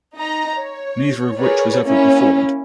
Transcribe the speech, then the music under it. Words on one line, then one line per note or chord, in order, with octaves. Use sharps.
Neither of which was ever performed.
D#4 D#5 A#5
C#5
G#4 A#4 B4 C#5 D5
A#3 C#4 E4